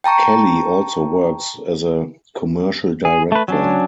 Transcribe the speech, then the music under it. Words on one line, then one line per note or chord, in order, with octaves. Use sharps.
Kelly also works as a commercial director.
G5 A5 A#5 C#6
G#4
A3 B4
F#3 C#4 D4